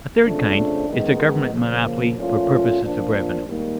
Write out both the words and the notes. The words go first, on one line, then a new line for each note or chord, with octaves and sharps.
A third kind is a government monopoly for purposes of revenue.
F2 C#3 F3 A3 D4
F#2 D#3 G#3 B3 D#4
C#3 F3 A#3
A#2 F3 A3 C#4 F4
A#2 F3 A#3 D4
G#2 D#3 G3 A#3 D#4